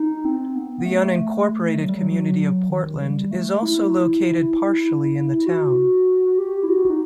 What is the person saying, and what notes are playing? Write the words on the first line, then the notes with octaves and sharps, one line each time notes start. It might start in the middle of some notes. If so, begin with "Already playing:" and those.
The unincorporated community of Portland is also located partially in the town.
Already playing: D#4
C4
B3
B3
A3
F#3
G3
F#3
D#3
G3
A3
E4
F#4
G4
E4
F#4
D#4